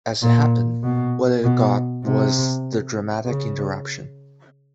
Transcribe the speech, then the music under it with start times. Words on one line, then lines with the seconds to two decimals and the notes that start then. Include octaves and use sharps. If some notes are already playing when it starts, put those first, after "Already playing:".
As it happened, what it got was the dramatic interruption.
0.22 A#2
0.83 B2
1.43 B2
2.04 C3
3.26 C#3